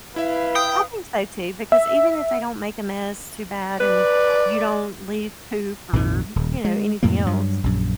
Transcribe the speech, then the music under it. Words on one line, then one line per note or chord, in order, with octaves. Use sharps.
I think so, too, because even if they don't make a mess too bad, and you don't leave poop or, you know, anything else,
E4 B4 E5 F5
G5 D#6
E5
B4 D5
A#1 F2 G#2 D#3
D#1
G#3
F2 A2 C3 A#3
G2 F#3
A#1 F#2